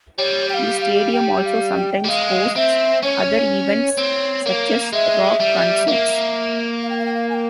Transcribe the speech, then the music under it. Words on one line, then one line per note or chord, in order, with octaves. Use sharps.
The stadium also sometimes hosts other events such as rock concerts.
G3 C#5
G5
F5
F5
G5
F5
G5
G3
G#3 F5
C4 E5
C#4 C#5
C4
A#3
G#3 E5
G3
A#3
F5
G5
F5
G5
F5
G#5
G5